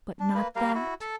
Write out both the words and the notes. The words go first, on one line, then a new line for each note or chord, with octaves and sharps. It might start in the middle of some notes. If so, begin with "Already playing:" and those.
"But not that?"
D4
A#3 B4
G3 A#3 A#4 F5
E4 F#4
A4 A5